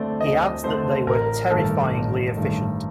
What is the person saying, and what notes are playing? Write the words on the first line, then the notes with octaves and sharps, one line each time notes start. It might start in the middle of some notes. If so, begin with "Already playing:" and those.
He adds that they were terrifyingly efficient.
Already playing: D2 D3 A3 C4 C5 D5
D2 D#5
D3 A3 C4 C5
A1 A#4
G2 D#3 A3 A4
A1
G2 D#3 A3